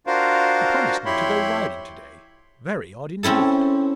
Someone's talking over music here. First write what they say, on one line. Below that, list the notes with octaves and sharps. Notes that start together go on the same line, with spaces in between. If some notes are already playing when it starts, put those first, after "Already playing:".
She promised me to go riding to-day. Very odd indeed!
D4 F4 F#4 A#4 C5 F5
F2 E4 G4 C#5 B5 C6
C4 C#4 E4 A4